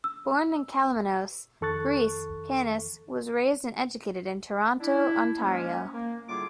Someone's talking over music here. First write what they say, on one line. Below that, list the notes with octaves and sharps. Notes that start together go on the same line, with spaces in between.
Born in Kalymnos, Greece, Cannis was raised and educated in Toronto, Ontario.
E6
F2 D#3 A4 C#6 F#6 A6
D4 E4
D#3 F3 G#3 A#3 C#4
A#3
A2 D3 G3 F4 G#4 D6